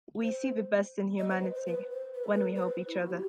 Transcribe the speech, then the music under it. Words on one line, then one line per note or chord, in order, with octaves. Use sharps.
We see the best in humanity when we help each other.
C5
D#5
C5
B4
C5
B4
C5
B4
A4
B4
C5
B4
E4
F#4
G4